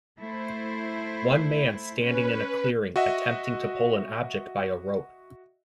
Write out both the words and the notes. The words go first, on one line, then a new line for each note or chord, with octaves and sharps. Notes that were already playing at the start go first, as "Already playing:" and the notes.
One man standing in a clearing attempting to pull an object by a rope.
A3 E4 C5
C#4 B4
F#4 D#5 E5 F#5